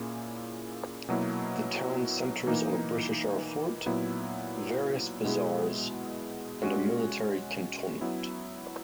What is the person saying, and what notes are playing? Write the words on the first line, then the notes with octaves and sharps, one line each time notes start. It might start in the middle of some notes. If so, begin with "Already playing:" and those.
The town centers on a British-era fort, various bazaars and a military cantonment.
Already playing: A#2 A#3 C#4 E4 G#4
B2 F#3 A#3 E4
E3 A#3 D#4
A#2 F#3 B3 E4
B2 G#3 B3 E4 G#4
G#3 C#4 F#4
F#3 B3 E4